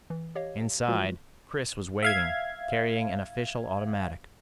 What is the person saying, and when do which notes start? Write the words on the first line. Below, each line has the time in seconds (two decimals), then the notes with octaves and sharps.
Inside, Chris was waiting, carrying an official automatic.
0.10 E3
0.35 G4 C#5 D#5 F5
0.88 E3 F3 G#3 F4 F#4 B4
2.03 E5 F5 G#6